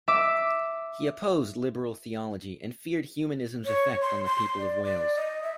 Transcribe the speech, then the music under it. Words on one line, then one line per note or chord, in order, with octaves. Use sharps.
He opposed liberal theology and feared humanism's effect on the people of Wales.
E5 D6
C#5
C6
C6
D5
D5
D#5
E5